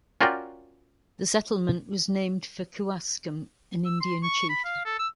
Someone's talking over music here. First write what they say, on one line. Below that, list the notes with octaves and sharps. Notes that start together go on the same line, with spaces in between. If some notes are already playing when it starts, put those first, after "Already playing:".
The settlement was named for Kewaskum, an Indian chief.
C#4 F4 F#4 A#4 D5 G5
E6
C6
C#6
B5
F5
A4
E6